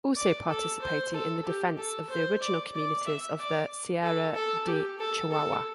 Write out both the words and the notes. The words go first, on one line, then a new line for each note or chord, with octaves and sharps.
Also participating in the defense of the original communities of the Sierra de Chihuahua.
D5
A4
C5
A4
G4
A4
C5
D5
D5
E5
D5
A4
A4
G4
A4
A4